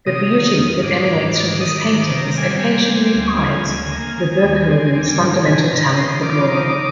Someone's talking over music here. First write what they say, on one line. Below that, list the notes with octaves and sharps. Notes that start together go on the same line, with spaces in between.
The beauty that emanates from his paintings occasionally hides Verboeckhoven's fundamental talent for drawing.
C3 D#6
D#3
F2
G#2 D6
G#2
G#2
D#3 D#6
D6
D#3
D6
C3
A#5
G3 G#5
C4
G3
D2
F3
D2
A#3
D#3
D#2
C4
G3
G#2
C3 G#5
C3 A#5
D#3 C6
F3 D6
D#4